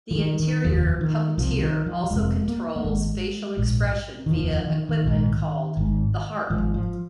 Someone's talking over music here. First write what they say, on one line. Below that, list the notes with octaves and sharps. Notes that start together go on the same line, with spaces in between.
The interior puppeteer also controls facial expression via equipment called "the harp".
F3
D#3
D#3
F1 D#2 F3
D#3
C2 C3 F3
D#3
F3
F3
F1 F2 C3 G#3
A#3
A#3
G#1 G#2 G#3
A#1 G#2
D#3
F1 D#2 F3
D#3
D#3
A#1 G#2
G#1 G#2
G#1 G#2 F3
F3